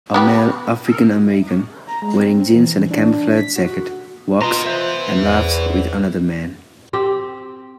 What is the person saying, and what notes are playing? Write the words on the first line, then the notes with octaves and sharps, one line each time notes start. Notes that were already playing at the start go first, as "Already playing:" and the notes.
A male AfricanAmerican wearing jeans and a camouflage jacket, walks and laughs with another man.
B3 G4 B4
A#5
G#3
C4
E3
D4
B6
F#4
F4 B4 D#5 A#5 C6
B3 B4 C5 E5
E2
C4 G4